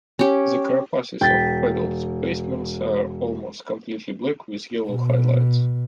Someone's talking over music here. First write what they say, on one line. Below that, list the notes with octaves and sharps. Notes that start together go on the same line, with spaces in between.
The carapaces of adult specimens are almost completely black, with yellow highlights.
C#4 G4
E1 G5 A6 B6
B2